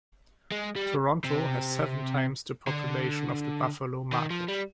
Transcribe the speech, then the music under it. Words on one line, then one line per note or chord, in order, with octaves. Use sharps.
Toronto has seven times the population of the Buffalo market.
G#3
G3
C3
D3
D#3
F3
G3